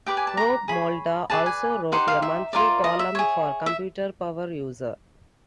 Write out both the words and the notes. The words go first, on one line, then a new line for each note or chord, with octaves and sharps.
Rob Malda also wrote a monthly column for "Computer Power User".
G4 B4 D5 G5
G#5
A5
A#5
G#4 C#5 B5
G#4 B4 D5 A5
G#5
D#4 G4 C5 F#5
F5
E5
F4 A#4 D5
D#5
E5
G#4 C#5
E5